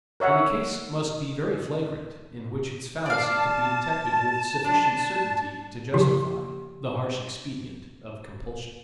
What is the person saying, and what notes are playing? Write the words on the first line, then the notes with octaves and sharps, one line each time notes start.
And the case must be very flagrant in which its fallacy could be detected with sufficient certainty to justify the harsh expedient of compulsion.
A#4 C#5 E5 F#5
D5 F5 A5
D4
C#3 F3 A#3 G4